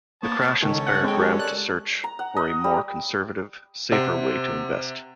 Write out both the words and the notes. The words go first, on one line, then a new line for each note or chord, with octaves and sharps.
The crash inspired Graham to search for a more conservative, safer way to invest.
A#3 B3 C#5 A5
C#2 D#3 C#4 A4 C#5
F#5
G#3 C4 G5
F#4 G4 A#4
D5 F#6
A#5
F#5
D#5
G3
C3 C5 F#5